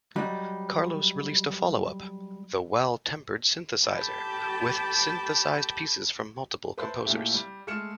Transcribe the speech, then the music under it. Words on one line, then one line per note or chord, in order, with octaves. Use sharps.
Carlos released a follow-up, "The Well-Tempered Synthesizer", with synthesized pieces from multiple composers.
F#3 G3 D#4
G4 A4 G5 A5 B5 G6
B4 C5 E5 A5
A#2 A3 E4 G4
G3
G#3 A3 F6 C#7 E7